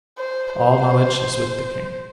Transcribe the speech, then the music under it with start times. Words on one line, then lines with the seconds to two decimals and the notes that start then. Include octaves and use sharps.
"All knowledge is with the King."
0.18 C5
0.54 C5